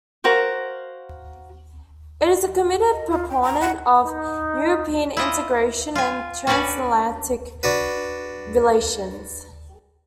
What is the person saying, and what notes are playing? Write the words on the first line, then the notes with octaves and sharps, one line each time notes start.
It is a committed proponent of European integration and transatlantic relations.
F#4 A#4 C5 F5
D#5
F4
G5
A#5
F#5
D#4
E4 F4 D#5
F4 G#5
C#4 D4 F#4 B4 D5 G#5
D4 F#4 B4